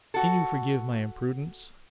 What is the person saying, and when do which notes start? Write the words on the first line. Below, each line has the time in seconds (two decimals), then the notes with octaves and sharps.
'Can you forgive my imprudence?'
0.14 F#4 A4